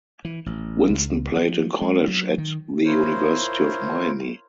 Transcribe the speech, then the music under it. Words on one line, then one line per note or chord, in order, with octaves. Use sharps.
Winston played in college at the University of Miami.
E3
A1
C#2
F3
G#3
F#3
D#3
E4 F4 A#4 C5 C#5